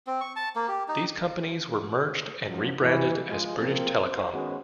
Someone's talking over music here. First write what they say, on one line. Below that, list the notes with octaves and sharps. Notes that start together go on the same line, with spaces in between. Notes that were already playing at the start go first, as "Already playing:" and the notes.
These companies were merged and rebranded as British Telecom.
C4
C#6
A5
A#3
G4
D#4
F#2 F3
G2 E3
F3 G#3
F3 A#3 C4
C5
D#3 G#3 B3 C#4 F#4